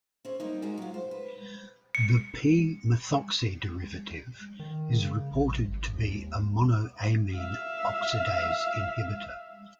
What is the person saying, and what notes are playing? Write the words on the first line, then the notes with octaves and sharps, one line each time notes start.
The "p"-methoxy derivative is reported to be a monoamine oxidase inhibitor.
C4 C#4
G3 A#3 D#4
G#3 D#4 F#4 G4
F#3 F4
C5
B4
C#7
D#3
C#3
A#1
G#1
D#2
E5 F5